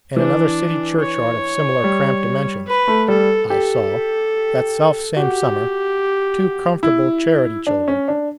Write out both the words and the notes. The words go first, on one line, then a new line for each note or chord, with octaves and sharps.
In another City churchyard of similar cramped dimensions, I saw, that selfsame summer, two comfortable charity children.
E3 D4
C#5
G3
B4
A3
G3 A4
G4 A4
F#4 G4
E4
D4
C#4
D4